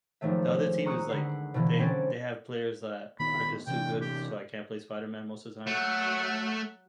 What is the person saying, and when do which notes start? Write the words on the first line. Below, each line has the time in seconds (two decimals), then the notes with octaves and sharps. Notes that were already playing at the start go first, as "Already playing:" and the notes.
the other team is, like they they have players that are just too good, so I can't play Spider Man most the time.
0.21 G#1 F3 F#3 A3 E5
0.86 A#5 C#6 D#6 E6 F#6
1.09 D3 B4 F#5 C7
1.54 B2 D3 E3 A#3
1.78 D3 F#3 C4 C#4 C5 D5
3.19 D#1 D#3 B3 B5
3.67 C3 E3 C#4 G5
4.01 G4
5.67 F#3 A3 F#5